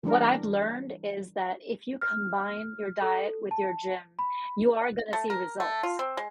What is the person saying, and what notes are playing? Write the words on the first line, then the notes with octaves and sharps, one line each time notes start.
what I've learned is that if you combine your diet with your gym, you are gonna see results.
E3 G3 D4 A#4
F6
A4
A5
B5
A3
A#4
A3
F4
C4
G#3